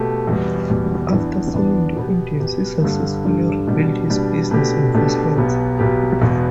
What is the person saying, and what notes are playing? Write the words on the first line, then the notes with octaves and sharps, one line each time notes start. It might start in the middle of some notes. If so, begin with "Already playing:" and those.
After selling the Indians he successfully rebuilt his business investments.
Already playing: B2 A3 G4
E2 B2 G3
E2 B2 G3
E2 E3 B3 D4
E2 E3 B3 D4
B2 B3 G4
B2 B3 G4
G2 D3 G3 D4
G2 D3 G3 D4
B2 G3 D4
B2 G3 D4
B2 A3 D4 G4
B2 A3 D4 G4
B1 B2 B3 G4
B1 B2 B3 G4
E1 E2 B2 B3